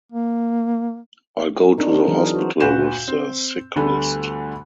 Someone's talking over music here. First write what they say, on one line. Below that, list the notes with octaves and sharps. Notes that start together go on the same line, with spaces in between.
I'll go to the hospital with the sick-list.
A#3
C4 D4 D#4 A#4
E3 F#3 G#4 A#4
F#4 C5
D2 A#2 F#4 B4 G6 E7
C4
D2 D3 G3 A3 B3